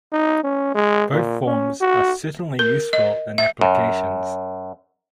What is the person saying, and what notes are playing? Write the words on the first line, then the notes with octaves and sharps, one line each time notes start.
Both forms are certainly useful in applications.
D#4
C#4
G#3
A#2
C#4
F#4
A#4
D#5
E5
F#2